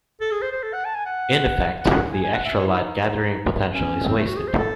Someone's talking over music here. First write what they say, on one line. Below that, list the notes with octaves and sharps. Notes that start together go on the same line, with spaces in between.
In effect, the extra light gathering potential is wasted.
A4
G#4
C5
C5
A4
F#5
A5
G#5
F#5
F#5
F#5
G#5
G#5
F#5
E5
C#5
E4
D#4
C#4
C4
A3
F#4
G#4
C5
A4